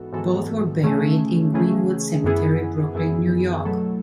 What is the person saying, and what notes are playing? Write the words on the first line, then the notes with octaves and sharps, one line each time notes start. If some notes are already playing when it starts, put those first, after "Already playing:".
Both were buried in Green-Wood Cemetery, Brooklyn, New York.
Already playing: G#2 E3 B3 F#4 A4
G#2 E3 B3 F#4 A4
C#3 E3 A3 C#4 G#4
C#3 E3 A3 C#4 G#4
F#2 E3 B3 E4 G#4
F#2 E3 B3 E4 G#4
B2 F#3 A3 E4 A4